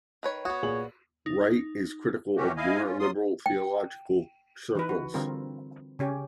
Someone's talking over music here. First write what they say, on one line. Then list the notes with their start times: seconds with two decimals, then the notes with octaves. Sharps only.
Wright is critical of more liberal theological circles.
0.23 D#3 B4 C#5
0.45 B3 F#4 C#5 D#6
0.63 A#2 G#4 F#7
1.26 D#4
2.37 C3 E3 C#4 F#4 G4
2.57 E4 D#5 F5 G#5
2.83 C#4 F4
2.99 F#3 F4 C6 D#6
3.46 G5
4.75 E3 D#4 B4
4.89 F#4
5.14 D3 G3 C4 F4 A#4
5.99 C#3 C#4 G4